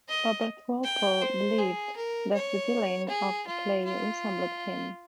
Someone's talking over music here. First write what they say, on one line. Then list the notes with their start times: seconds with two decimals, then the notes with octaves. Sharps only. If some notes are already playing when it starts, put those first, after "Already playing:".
Robert Walpole believed that the villain of the play resembled him.
0.09 D#5
0.84 G5
1.21 C5
1.58 G#4
1.96 A#4
2.34 C#5
3.09 G#4
3.47 F4
3.84 F4